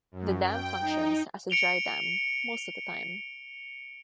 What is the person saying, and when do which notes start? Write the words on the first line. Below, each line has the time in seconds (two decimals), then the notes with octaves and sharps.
The dam functions as a dry dam most of the time.
0.12 F#2
0.43 G5
0.80 D#4
1.50 C#7 D7 F7 G7